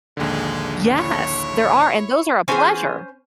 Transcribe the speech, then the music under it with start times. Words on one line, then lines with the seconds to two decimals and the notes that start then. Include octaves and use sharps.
Yes, there are, and those are a pleasure.
0.17 A#1 D#2 D3 G#3
0.96 E4 C#5
2.48 E3 B3 C#4 G#4 C5 G#5